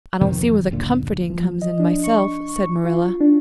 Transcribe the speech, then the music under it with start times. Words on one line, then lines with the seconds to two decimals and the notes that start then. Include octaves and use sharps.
"I don't see where the comforting comes in myself," said Marilla.
0.21 F2 C3 D#3 F3
0.71 F#1 D2 A#2
1.30 F3
1.62 D#5
1.80 D4
2.04 C#6
2.49 C#6
2.85 F4
3.20 D4